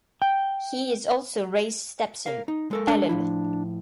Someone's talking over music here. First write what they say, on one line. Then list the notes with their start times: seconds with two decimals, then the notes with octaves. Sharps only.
He is also Rey's stepson, Elul.
0.22 G5
2.26 A#4 F5
2.48 D#4
2.71 G#3 A4 A#4
2.88 D4
3.09 A2 F3 E4